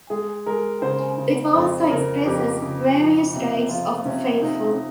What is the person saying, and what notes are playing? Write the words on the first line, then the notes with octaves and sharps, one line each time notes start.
It also expresses various rights of the faithful.
G#3 G#4
G#3 A#4
C#3 C5
C#3
F2 C5
C#3 A#4
F2 G4
C#3
F3
C3
F3 F4
C3 C#4
C3 D#4